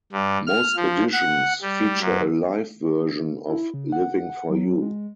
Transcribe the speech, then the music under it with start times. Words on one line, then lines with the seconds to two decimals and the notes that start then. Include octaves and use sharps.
Most editions feature a live version of "Livin' for You".
0.12 G2
0.47 F6
0.76 F3
1.12 F#5
1.62 G3
2.00 F#2
3.49 E4
3.74 C#3
3.92 F#5
4.50 F#3
4.82 G#3